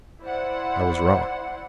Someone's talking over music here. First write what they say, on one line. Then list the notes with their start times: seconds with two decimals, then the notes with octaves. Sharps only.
I was wrong.
0.21 E4 C5 D5 F#5